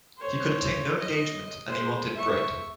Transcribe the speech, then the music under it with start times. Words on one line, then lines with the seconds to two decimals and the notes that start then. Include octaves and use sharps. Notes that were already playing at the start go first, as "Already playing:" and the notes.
He could obtain no engagement, and he wanted bread.
0.18 C5 C#5
1.00 D#5
1.68 G#3 C5
2.14 E5 C#6